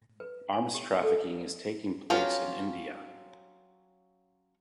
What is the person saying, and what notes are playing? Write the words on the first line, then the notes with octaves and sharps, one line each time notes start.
Arms trafficking is taking place in India.
B4
G#5
G4
A4
F#3 C#4 F4 G4